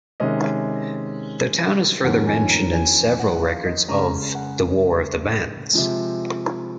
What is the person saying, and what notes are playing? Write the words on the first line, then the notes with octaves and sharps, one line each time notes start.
The town is further mentioned in several records of the War of the Bands.
C3 D#3 G#3 C#4 D#5
F2 D#3 A#3 C#4 F#5
G#5
A#5
G#5
G#5
F#5
F5
D#5
C#3 G#3 C#4 A#5
F#5
C3 F3 G#3